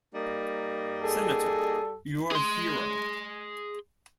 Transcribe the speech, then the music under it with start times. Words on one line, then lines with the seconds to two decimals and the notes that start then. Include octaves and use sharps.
Senator, you're a hero.
0.14 G3 A#3 D#4
1.02 G#4 A4
2.32 G#4 C6